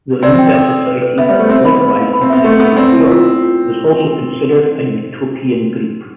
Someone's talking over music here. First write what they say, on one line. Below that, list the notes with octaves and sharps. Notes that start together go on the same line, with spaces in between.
The Oneida Society, likewise in central New York, was also considered a utopian group.
C4 D5
G5
A4
A4
B4
B4
B3 E5
G3
C5
A3
C4 C5
B3 B5
B4
F5
B5
C4
B3 E5
A3 C6
B3 C6
C4 D5
E4
F4